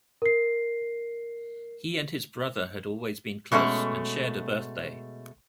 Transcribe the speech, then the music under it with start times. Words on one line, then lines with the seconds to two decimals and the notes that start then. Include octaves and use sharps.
He and his brother had always been close, and shared a birthday.
0.22 A#4 C7
3.52 B2 G#3 A3 C#4